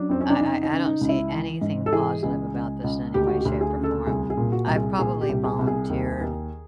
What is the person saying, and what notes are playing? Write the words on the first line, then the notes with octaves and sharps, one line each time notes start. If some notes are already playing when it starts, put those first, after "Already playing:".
I I I don't see anything positive about this in any way, shape, or form. I've probably volunteered
Already playing: F#3 D4
F2 C4
C#4
D4
C#3 D#4
D#4
C#3
D#4
C#2
E4
E3
G#2
A4
E3 G#4
C#2 G#4
C#2
C#2
D2 G4
F#4
G4
D2
G#4
C#3
A4
C2 G#4
G#4
A#2
F#4
C2
G#4
A#2 G#4
G4
C2
G#4
C2
G#4
D#2
D#2